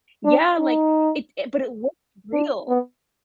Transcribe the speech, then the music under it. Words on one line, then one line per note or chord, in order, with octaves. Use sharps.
Yeah, like it i but it looks real.
D4
D#4
D4
B3